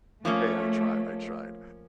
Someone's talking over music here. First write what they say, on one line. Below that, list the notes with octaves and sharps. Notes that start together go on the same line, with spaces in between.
Hey, I tried, I tried.
F3 A3 A#3 C#4